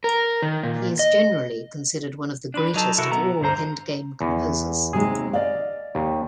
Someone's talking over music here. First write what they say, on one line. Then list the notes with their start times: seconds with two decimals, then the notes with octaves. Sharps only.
He is generally considered one of the greatest of all endgame composers.
0.04 A#4
0.42 D#3
0.63 A#2
0.99 D#5
2.54 D4 B4
2.74 F#3 D#4 A4
2.98 C3 E4 F#4 A4 A#4
3.12 B1 B3 A#5
3.40 D2 G2 D3 C5 A#5
4.21 E2
4.93 D#2 C3 G#3 G#4
5.33 D5 D#5 F5
5.95 D#2